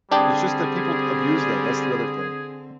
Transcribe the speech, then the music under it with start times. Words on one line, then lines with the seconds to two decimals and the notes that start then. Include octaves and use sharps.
It's just that people abuse them, that's the other thing.
0.12 D3 G3 C4 D4 G4 G#4